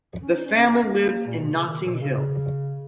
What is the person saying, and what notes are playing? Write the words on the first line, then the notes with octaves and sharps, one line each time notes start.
The family lives in Notting Hill.
C#4
D#4
C#4
C#4
C#4
A#3
A#2
B2
C#3
D#3
A#2
B2
C#3